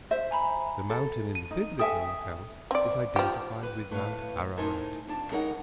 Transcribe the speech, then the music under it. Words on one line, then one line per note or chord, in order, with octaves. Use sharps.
The mountain in the Biblical account is identified with Mount Ararat.
C5 E5
G#5 A#5 B5
A4
D#7
D#4
A4 E5 G5 G#5 D#6
C4 D5
F3 G4
B4
A2 B4 C#5 F5
A2 D#4 A#4 C5 G#5 A5
F2 D4 A5
G3 D#4 A#4 C#5 F5 F#5